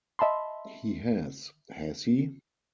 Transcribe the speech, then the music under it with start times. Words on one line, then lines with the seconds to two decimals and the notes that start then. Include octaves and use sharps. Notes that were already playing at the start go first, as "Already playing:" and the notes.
He has, has he?
0.19 D#5 E5 A5 B5 C6